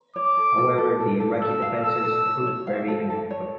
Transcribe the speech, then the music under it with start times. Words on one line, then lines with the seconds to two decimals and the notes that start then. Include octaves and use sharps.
However, the Iraqi defenses proved very inadequate.
0.16 C#5 D6
0.37 A4
0.58 A4
0.78 A4
1.00 A4
1.20 A4
1.41 A4 E6
1.62 F5
1.84 A4 E6
2.04 A4
2.26 C#5
2.47 C#5
2.67 F5
2.88 A4
3.10 A4
3.31 C#5